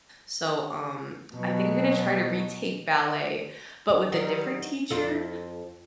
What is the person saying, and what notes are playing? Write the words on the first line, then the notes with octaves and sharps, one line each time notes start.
So, um, I think I'm gonna try to retake ballet, but with a different teacher.
B2 F#3
D#3 F#3 G3
F2 F4 A4